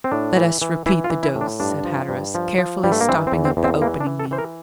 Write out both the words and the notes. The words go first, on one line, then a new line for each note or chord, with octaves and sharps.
"Let us repeat the dose," said Hatteras, carefully stopping up the opening meantime.
C4
A2 D4
E3
E3
E3 E4
F4
E3
E4
A2
D4
G2 D4
F3
G2
F3
F3
G2 G3
A3
A#3
E3 C4
C4
E2
C4
E2
C4
E3 A#3
D4
E3
A4
E3 C5
A#4